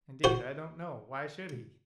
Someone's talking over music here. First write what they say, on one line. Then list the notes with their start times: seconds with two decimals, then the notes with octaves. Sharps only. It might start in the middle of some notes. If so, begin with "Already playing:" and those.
"Indeed I don't know.--Why should he?"
0.24 F#4 C5